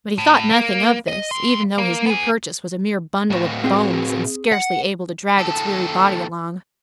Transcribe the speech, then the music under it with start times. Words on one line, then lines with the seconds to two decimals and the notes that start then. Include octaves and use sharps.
But he thought nothing of this, even though his new purchase was a mere bundle of bones and scarcely able to drag its weary body along.
0.18 A2
0.51 A#3
1.08 D#5
1.31 F2 C6
1.78 A#3
2.07 B3 G#4
3.30 A2 F#4
3.64 C4 G#4 G5
4.52 F#5
5.38 D#2 A4